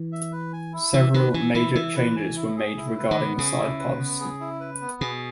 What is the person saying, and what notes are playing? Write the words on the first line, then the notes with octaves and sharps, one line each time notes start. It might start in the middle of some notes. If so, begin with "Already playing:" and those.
Several major changes were made regarding the side pods.
Already playing: E3
E5
B4
G#5
E4
E3 E5
D#3 B4
E3 G#5
E3 E4
E3 E5
B4
G#5
E4
G#4
E4
B4
D#3
B3
C#3 G#4
E4
B4
B3
G#4
E4
B4
B3
B2 G#4